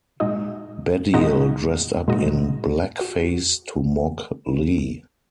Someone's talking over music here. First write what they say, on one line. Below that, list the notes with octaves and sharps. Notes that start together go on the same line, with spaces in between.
Baddiel dressed up in blackface to mock Lee.
A#2 G#3 D#4 F#4 D#5
A#2 G#3 D#4 F#4 D#5
A#2 G#3 D#4 F#4 D#5
F#4